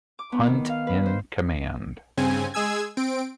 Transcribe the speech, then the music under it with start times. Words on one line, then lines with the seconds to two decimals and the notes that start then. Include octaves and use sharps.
Hunt in command.
0.19 D6
0.32 B3
0.47 D#3
0.69 F5
0.87 B4
1.06 C5
2.17 G2 C#3 C4 G#5
2.54 G#3 G#4 G#5 E6 G#6
2.97 C4 D7